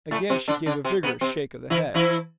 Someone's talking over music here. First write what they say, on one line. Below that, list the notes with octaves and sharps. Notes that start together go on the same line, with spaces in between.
Again she gave a vigorous shake of the head.
A2 A3
C3 C4
D3 D4
D3 D4
C3 C4
B2 B3
C3 C4
E3 E4
E3 E4